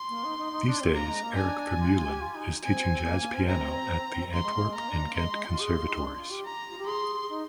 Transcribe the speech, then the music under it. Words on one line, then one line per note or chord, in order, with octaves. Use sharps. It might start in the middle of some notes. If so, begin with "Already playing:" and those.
These days, Erik Vermeulen is teaching jazz piano at the Antwerp and Ghent conservatories.
Already playing: C6
A#3
D#4
D#4
D#4
D4
C4
A#3 A#5
G#3
A#3
D4 G#5
F4
F4
G4
F4
D#4
C4 G#5
A#3
A#3
C4
A#5
A#3 C6
G#3
A#3
G#3
A#3 A#5
D4
A#3
G#3 C6
G#3
F4
G#4
F4
D#4
D4
F4
G4
A#5
F4
G4
G#4 C6
D#4